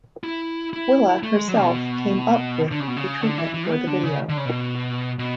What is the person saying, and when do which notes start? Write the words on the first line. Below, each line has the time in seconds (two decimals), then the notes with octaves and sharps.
Willa herself came up with the treatment for the video.
0.24 E4
0.73 E4
1.23 A3
1.36 G#3
1.48 F#3
1.60 B2
2.72 D3
2.80 C#3
2.88 B2
2.97 C#3
3.21 D3
3.38 E3
3.54 E3
3.71 B3
3.87 D3
4.03 C#3
4.29 D3
4.37 C#3
4.45 B2
5.19 B2